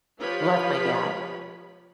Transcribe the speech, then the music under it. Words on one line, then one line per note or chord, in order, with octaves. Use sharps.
love my dad-
F3 F4 G4 B4 C#5 B5